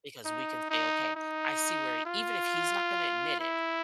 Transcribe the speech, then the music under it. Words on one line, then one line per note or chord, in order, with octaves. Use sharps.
because we can say, "Okay, I see where even if he's not gonna admit it,
D#4
D#4
D#4
F4
E4